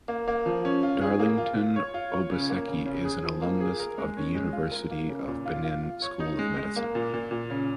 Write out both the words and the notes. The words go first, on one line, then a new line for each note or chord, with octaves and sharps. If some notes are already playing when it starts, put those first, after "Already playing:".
Darlington Obaseki is an alumnus of the University of Benin School of Medicine.
A#3
A#3
F3
C#4
F4
G#4
A#3
F4
F4
C#5
F4
C#5
C#3
A#3
C#3
C#3
G#4
F3
A#3
G#4
A#4
G#3
C#4
G#3
F4
A#4
A#3
C#3
A#2
F4
F4
F4
C#5
D#4
G#3
G#3
A#3
A#2
A#2
A#2
C#3